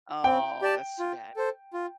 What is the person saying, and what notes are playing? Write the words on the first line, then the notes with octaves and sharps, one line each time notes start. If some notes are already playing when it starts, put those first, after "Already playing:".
Oh, that's too bad.
C4 G5
G4 D5 A5
F4
A4 C5
F4